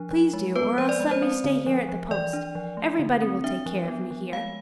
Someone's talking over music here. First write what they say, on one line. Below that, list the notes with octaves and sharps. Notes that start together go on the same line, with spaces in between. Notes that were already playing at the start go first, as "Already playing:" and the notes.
Please do, or else let me stay here at the post. Everybody will take care of me here!
Already playing: F3 D4
F3
G#3
B3 B4
F3 C5
D5
G#3
C5
C4
D3
F3
F3
E3 D5
D4
F3
A3
D3
C4
D4 E5
F3
B3
F3
G#3 F5